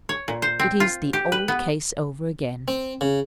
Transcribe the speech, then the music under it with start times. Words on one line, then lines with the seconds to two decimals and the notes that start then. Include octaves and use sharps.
It is the old case over again.
0.09 C#5
0.28 A#2
0.42 C5
0.60 C4
0.80 F4
1.13 G4
1.32 B4
1.48 B3
2.68 C4
3.01 C#3